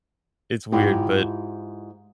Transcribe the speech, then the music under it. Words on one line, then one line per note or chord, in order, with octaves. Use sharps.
It's weird, but,
G#2 E4 F4 G4